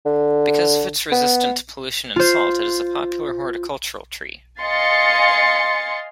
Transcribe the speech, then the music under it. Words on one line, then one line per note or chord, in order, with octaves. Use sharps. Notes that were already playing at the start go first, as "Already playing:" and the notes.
Because of its resistance to pollution and salt, it is a popular horticultural tree.
D3
B3
F4 C5
D#5 F5 G#5 C6 A6 C#7